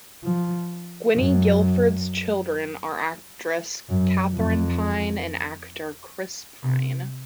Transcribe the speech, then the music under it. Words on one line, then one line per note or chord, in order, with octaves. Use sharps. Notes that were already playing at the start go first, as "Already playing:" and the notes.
Gwynne Gilford's children are actress Katherine Pine and actor Chris Pine.
F3
F#2
F#2
F2
C3